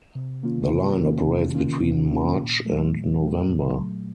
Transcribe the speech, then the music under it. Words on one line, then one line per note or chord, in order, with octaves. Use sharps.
The line operates between March and November.
C3
D#3 A#3 C#4 F4
C3
D#3 A#3 C#4 F4
C3
D#3 A#3 C#4 F4
C3
D#3 A#3 C#4 F4
A#2
F#3 A3
A#2
F#3 A3
A#2
F#3 A3